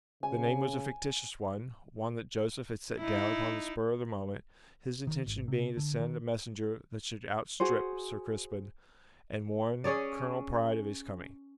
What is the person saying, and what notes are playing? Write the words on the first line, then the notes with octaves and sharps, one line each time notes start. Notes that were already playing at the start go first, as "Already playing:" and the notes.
The name was a fictitious one--one that Joseph had set down upon the spur of the moment, his intention being to send a messenger that should outstrip Sir Crispin, and warn Colonel Pride of his coming.
C#3 G#5
D#4 E4
D#3
G#1
C3
D3
D#3
F#4 G#4 C5
C#4 G#4 C#5 D5